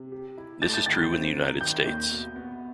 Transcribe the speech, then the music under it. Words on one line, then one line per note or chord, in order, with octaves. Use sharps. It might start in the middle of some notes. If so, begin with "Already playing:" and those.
This is true in the United States.
Already playing: C3
G4
E4
A3 A6
G6
D#3 A6
C4
F#3
D#3 G6
D#2
B2
B3